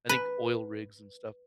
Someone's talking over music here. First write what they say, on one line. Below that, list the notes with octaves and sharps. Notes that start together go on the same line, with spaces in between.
I think oil rigs and stuff,
B4